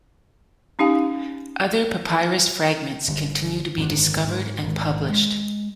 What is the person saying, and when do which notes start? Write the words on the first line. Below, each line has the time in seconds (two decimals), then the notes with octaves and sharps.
Other papyrus fragments continue to be discovered and published.
0.79 C#4 D#4 G4 F5 G#5
3.08 G1 D3
3.77 G#1 F#2 B2 D3
4.27 G#2
4.63 G#1
5.09 G#3